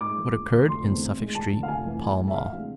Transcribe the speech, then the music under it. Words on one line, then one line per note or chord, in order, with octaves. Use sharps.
What Occurred in Suffolk Street, Pall Mall.
G#2 D6
E3 G#3
E1
D2 D3 A3
F1 C6
E2 D3 A3 C4
A1
G#2 G#3
E1 A5
D2 D3
F5
F1 G#5
F2 E3
A1 G#5
A2 G#3
E5
D2 F5
C3 E3 G#3 D4